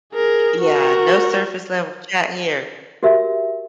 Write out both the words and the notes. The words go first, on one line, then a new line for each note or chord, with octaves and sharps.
Yeah, no surface level chat here.
G#4 A#4
F#4 A#4
F#4 G4 A#4 E5